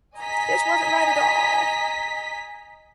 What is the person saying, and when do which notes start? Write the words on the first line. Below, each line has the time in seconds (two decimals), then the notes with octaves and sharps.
This wasn’t right at all.
0.18 D#5 G#5 A#5 B6